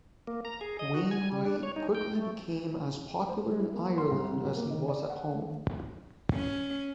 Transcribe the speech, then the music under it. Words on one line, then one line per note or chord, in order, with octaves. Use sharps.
Wainwright quickly became as popular in Ireland as he was at home.
A#3
A#5
G#4
D#5
F#4
G#5
C#3
D4
C#5
D#4
G5
A3
C5
G3
E4
A#3
C6
C2
B1
A#3
D#3
D5
F#5
A3
C#4